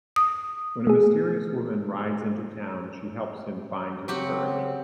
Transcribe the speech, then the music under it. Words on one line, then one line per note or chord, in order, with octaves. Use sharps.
When a mysterious woman rides into town, she helps him find his courage.
D#6
A3 G#4
C#3 F#3 C4 G4 F#5